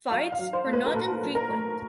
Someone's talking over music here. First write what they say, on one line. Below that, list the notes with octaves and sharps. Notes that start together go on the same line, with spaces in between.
Fights were not infrequent.
F#3 F5
F5
F#3
C5
A3
B4
A#4
A#2 A4
F#3
A#4
A3